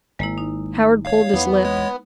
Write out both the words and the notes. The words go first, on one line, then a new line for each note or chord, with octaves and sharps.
Howard pulled his lip.
G#1 G#3 A#3 E4
D#4
C#5 F5
E2 E3 B3
G#3 C#5